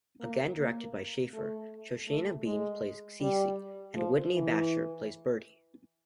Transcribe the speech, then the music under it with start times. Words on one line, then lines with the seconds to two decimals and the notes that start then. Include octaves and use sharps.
Again directed by Schaeffer, Shoshana Bean plays Cee Cee and Whitney Bashor plays Bertie.
0.21 A#3
0.58 A#3
1.33 A3
2.08 A3
2.46 G#3
3.21 G3
3.96 F3
4.34 E3